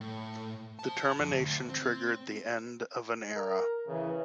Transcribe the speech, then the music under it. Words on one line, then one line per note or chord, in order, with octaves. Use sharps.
The termination triggered the end of the era.
A2
C5 A5
F2
D2
C4
A#4
C#3 E3